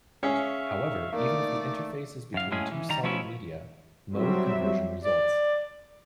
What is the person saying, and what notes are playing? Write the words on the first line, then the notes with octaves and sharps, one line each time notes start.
However, even if the interface is between two solid media, mode conversion results.
C#4 G#4 E5 F5 C#6
A3 A#3 D#4 D5
F#2 F5
A2 G#3 C#4 G#4
E3
D#3 G3 A#5
F3 A3 B3 C#4 E4
F#3 G3 C4 E5
D5